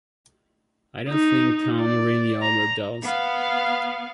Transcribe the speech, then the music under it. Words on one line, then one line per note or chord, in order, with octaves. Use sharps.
I don't think Tom really overdosed.
D#4
D5
A#5
B3 F5